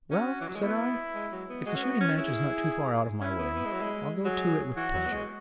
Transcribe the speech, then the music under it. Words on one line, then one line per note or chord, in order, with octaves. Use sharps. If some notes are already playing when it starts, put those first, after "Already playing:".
"Well," said I, "if the shooting-match is not too far out of my way, I'll go to it with pleasure."
C#4 F#4
E3
F#3
G#3
B3 E4
G#3
F#3
B3
G#3 F#4
C#4
B3
C#4
E4 G#4
C#4 E4
B3
B3
G#3
F#3
G#3
F#3 G#4
E3 F#4
F#3
B3
G#3